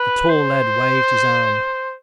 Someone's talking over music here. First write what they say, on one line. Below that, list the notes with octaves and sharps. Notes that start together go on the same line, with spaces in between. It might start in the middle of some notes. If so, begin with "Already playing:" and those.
The tall lad waved his arm.
Already playing: B4
C5